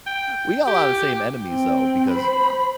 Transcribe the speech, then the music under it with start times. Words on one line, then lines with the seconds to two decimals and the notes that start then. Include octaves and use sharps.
we got a lot of the same enemies, though, because I
0.07 G5
0.67 G4
1.44 C4 G5
2.11 C5 B5